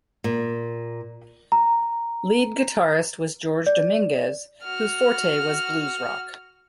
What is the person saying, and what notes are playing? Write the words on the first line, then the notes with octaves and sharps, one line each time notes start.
Lead guitarist was George Dominguez, whose forte was blues rock.
A#2
A#5
D5
F#4 F6